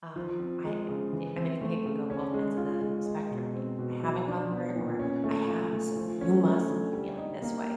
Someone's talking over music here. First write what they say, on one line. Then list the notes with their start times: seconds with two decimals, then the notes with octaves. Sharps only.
um, I i i I mean, I think it can go both ends of the spectrum: "Y I haven't gone through it," or "I have, so you must be feeling this way."
0.16 F3
0.39 C4
0.65 G#3
0.89 C#3
1.13 E3
1.36 C4
1.61 A3
1.86 C#3
2.10 C#4
2.34 G#3
2.58 F4
2.82 G#3
3.06 G#3
3.31 B2
3.54 C4
3.79 B2
4.03 F#3
4.28 D4
4.52 B3
4.76 A#2
4.99 C#4
5.24 A3
5.48 F4
5.73 A3
5.96 F3
6.21 C#4
6.45 A3
6.70 D3
6.93 G3
7.18 D#4
7.42 A#3